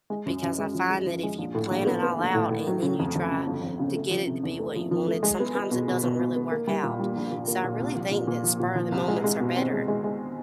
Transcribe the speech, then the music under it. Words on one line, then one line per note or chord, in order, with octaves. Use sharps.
because I find that if you plan it all out and then you try to get it to be what you wanted, sometimes it doesn't really work out, so I really think that spur of the moments are better.
G#3
F#2
F#2
G#3
F3
G#3
F3
G#3
A#1
A2
A#1
B3
B3
A#1
A2
A2
F#3
C#3
F2
F2
C#3
G1
F2
C#3
A3
F3
C3
E2
A3
F3
F3
A3
G#3
B3
B3
B2
B2
B2
B2
B3
A#3
G3
A#2
G3
A#1
A#2
A#3
A#2
C2
F3
A#2
A#2
F3
A#2
F3
C2
G#3
G#3
B2
C4
G#3
G#3
G#3